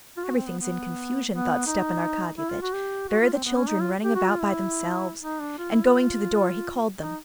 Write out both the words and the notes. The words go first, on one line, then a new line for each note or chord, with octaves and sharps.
"Everything's in confusion," thought Stepan Arkadyevitch; "there are the children running about by themselves." And going to the door, he called them.
F4
F#4
C4
B3
B3
B3
D#4
E4
F4
F#4
G4
F#4
F4
C4
B3
C#4
D#4
F4
G4
F#4
F4
E4
D#4
D4
F4
E4
F4
D#4